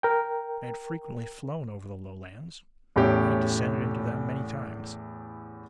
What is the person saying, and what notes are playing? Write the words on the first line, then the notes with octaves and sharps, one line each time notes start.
I had frequently flown over the Lowlands; I had descended into them many times.
A#4 G5
E2 A2 C#4 G4